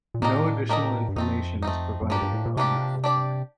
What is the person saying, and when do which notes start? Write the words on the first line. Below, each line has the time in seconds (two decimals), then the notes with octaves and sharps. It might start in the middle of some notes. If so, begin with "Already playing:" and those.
No additional information is provided about Naglfari.
0.14 A#2
0.22 A2 A#3 D4 G4 A#4 D#5
0.69 A#3 D4 G4 A#4 D#5
1.09 G2
1.16 F2 A3 C4 D#4
1.62 A3 C4 D#4
2.01 F2
2.10 G2 F3 A#3 D4 G4
2.22 G2
2.33 A2
2.46 A#2
2.57 C3 F3 A#3 D4 G4
3.04 D4 G4 D5